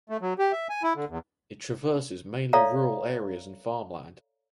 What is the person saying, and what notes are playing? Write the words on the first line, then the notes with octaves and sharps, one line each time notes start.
It traverses mainly rural areas and farmland.
A3
F#3
G4
E5
G#5
E4
D3
E2
A4 C#5 D5 E5 F5 A#5